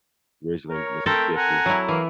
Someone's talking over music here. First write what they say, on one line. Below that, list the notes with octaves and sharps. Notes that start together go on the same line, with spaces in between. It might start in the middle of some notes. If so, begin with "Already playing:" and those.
originally Mississippi.
A#4 C#5
A3 C4 A4 A#4 G5
F#5 G#5 A#5
F#3 E4
E3 A#3